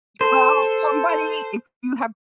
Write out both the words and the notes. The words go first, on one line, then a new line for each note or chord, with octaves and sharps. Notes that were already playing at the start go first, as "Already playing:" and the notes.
Well, somebody if you have
A4 C5